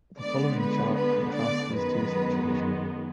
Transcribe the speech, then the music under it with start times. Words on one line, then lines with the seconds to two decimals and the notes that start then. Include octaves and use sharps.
The following chart contrasts these two situations.
0.19 D3 G#3 B3 D5
0.58 B4
0.96 B4
1.35 D5
1.74 F#2 D#3 G#3 B3 B4